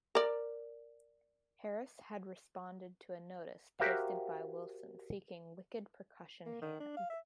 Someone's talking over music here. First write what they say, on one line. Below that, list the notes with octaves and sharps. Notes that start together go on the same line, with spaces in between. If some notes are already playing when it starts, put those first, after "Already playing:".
Harris had responded to a notice posted by Wilson seeking wicked percussion hands.
A#4 D5
F#4 G4 A#4 C5 E5 F5
A#3
D#3
D4
F5
E5